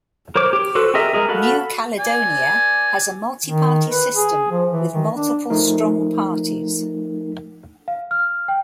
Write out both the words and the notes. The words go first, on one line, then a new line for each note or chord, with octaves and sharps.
New Caledonia has a multi-party system, with multiple strong parties.
A#4 C5 C#5 D6
G4
F#4 A4 B4 C5
G4 G#4 A#4 D#5 E5
G#3 G#4 A#4
F#4 A4 F5 F#5 B5
D5 G#5
D#3
B4
G#4
F3
E3
D#3
D4
F3 A3 D#4 A#4
F5
F6
G5